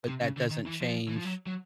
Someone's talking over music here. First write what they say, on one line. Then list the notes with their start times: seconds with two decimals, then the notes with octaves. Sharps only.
but that doesn't change,
0.08 C3
0.22 C#3
0.37 D3
0.51 D#3
0.66 E3
0.81 F3
1.08 E3
1.16 F3
1.25 F#3
1.47 F#3